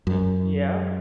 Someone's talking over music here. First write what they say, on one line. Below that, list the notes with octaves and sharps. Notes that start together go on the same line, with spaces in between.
Yeah yep.
F#2